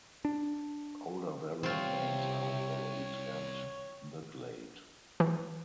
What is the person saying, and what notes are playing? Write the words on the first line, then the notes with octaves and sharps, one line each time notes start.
Older variant names are "Glade" and "The Glade".
D4
C2 C3 C4 F4 C#5
E3